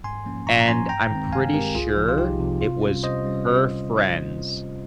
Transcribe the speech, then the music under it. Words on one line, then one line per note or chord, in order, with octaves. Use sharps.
And I'm pretty sure it was her friends
G#2 G#5 C6
F3 A#3 C#4
G#2 A#5 C#6
A#5
F3 A#3 C#4 G#5 C6
G2 G5 A#5
D#3 G#3 C4
G2 F5 G#5
D#3 G#3 C4 G4 A#4
C2 F4 G#4
C3 F3
F4
C2 D#4 G4
C3 F3
C3 F4
G3 C#4
C3 C5 D#5
G3 C#4